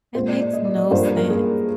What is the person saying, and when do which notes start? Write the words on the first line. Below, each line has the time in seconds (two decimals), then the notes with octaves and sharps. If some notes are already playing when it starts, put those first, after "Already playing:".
That makes no sense.
0.15 A#2 G#3 C5
0.28 D5
0.41 D5
0.53 D#5
0.65 D5
0.78 D5
0.91 G2 F3 A#3 C5
1.04 D5
1.17 A#4
1.30 G#4